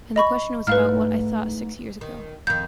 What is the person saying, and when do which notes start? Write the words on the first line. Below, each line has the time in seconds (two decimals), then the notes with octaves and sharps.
And the question was about what I thought six years ago.
0.16 D#5 B5 C#6
0.67 G#2 A3 E4 B4 F5 F6
2.01 D#3
2.47 F2 D#3 G6